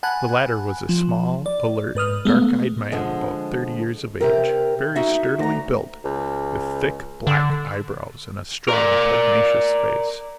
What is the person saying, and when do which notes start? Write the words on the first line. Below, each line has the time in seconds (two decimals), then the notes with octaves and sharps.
The latter was a small, alert, dark-eyed man about thirty years of age, very sturdily built, with thick black eyebrows and a strong, pugnacious face.
0.03 F#5 G#5 A5 B5 F#6
0.89 F3
1.46 D5
1.95 G#2 B4 D#6 F6
2.25 G#3 A3 B3
2.92 D3 F3 G#3
4.21 C3 G4 A#4
4.96 D#4 F#4 E5
5.39 D2 A#5
6.04 C#2
7.27 D3
8.69 A#4 D5